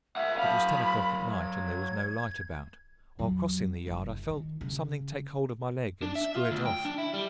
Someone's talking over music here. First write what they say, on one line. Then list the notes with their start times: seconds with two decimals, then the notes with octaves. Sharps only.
It was ten o'clock at night, and there was no light about. While crossing the yard I felt something take hold of my leg and screw it off.
0.16 C#2 E5 F#5
0.38 F#3 F5 B5
1.32 G#6
3.19 F2 F#3
3.87 F#1
4.29 D#3
4.61 C#3
6.02 D4
6.15 E5
6.35 F4
6.51 D2
6.66 G5
6.85 D4
6.98 E4
7.14 G3